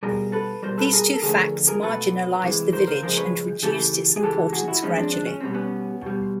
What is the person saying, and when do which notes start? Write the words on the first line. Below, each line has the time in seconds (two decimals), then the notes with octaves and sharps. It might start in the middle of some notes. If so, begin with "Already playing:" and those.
These two facts marginalized the village and reduced its importance gradually.
0.03 B2 G3 G#4 A#4
0.32 A4 B4
0.62 B2 G3 A#4 C5
0.78 A4 B4
0.93 G#4 A#4
1.13 A4
1.22 D3 F3 A3 G#4 A#4
1.67 G#4 A#4
1.83 B2 F#3 A3 A4 B4
2.43 C3 E3 G#3
2.72 A#4 C5
2.87 A#4 C5
3.03 C#3 F3 G#3 A#4 C5
3.17 B4 C#5
3.63 C#3 E3 A3 G4 A4
4.16 G#4
4.23 C#3 E3 G#3 G4 A4
4.53 F#4 G#4
4.68 E4 F#4
4.82 A2 F3 G#3 C#4 D#4
4.97 C4 D4
5.13 D4
5.26 C#4
5.40 B2 G3 C4
5.54 B3 C#4
6.02 B2 G3